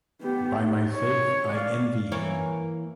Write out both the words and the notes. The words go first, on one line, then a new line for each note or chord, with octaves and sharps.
By my faith, I envy him.
B3 G4
D#4
C#5
D5 F5
E3 A#3 C#5